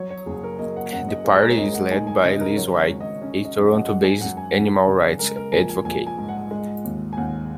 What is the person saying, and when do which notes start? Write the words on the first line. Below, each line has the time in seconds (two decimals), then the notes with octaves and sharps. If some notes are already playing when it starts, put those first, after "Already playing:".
The party is led by Liz White, a Toronto-based animal rights advocate.
Already playing: F#3 C#5
0.10 C#5
0.26 F#1 G#4
0.44 A#4
0.59 A#3 D#5
0.76 F#5
0.92 F#2 F#5
1.09 D#5
1.25 G#3 F#5
1.35 G#4
1.42 A#4
1.50 C#5
1.57 C#2 D#5
1.74 F#5
1.91 D#4 G#5
2.07 G#5
2.24 C#3 D#5
2.41 A#4
2.56 F#3 C#5
2.79 C#5
2.90 G#1
3.01 D#5
3.22 C#4 D#5
3.45 D#5
3.56 F#2
3.66 D#5
3.74 F#5
3.80 D#5
3.87 G#3 F#5
4.04 G#5
4.21 F#2 F#5
4.37 G#5
4.54 F#2 F#5
4.87 C#3
5.19 G#3 A#4
5.36 A#4
5.52 A#1 G#5
5.69 G#5
5.85 A#1 G#5
6.07 G#5
6.18 G#2
6.28 F#5
6.51 G#3
6.84 D#2
7.13 G#5
7.17 D#2 F#5